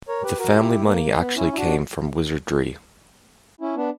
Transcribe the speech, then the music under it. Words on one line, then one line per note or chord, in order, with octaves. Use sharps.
The family money actually came from wizardry.
A#4 C#5
G4 B4
F#4 A#4
E4 G4
A#3
B3
C#4 E4
E4
D4 F#4
C#4 E4
B3 D4